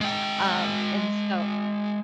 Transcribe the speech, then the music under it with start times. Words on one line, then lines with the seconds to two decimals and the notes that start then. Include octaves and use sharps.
um, and so
0.01 G#3 G5